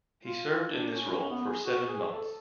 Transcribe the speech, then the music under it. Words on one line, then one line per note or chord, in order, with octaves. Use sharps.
He served in this role for seven months.
F4
F4
D4
C#4
C#4
B3
G#4
F#4
G#4
A4